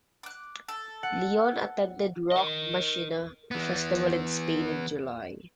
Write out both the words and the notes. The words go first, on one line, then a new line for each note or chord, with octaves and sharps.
Lione attended Rock Machina Festival in Spain in July.
D6 F#6
A4
F#5
A#4 D#5
E3 B3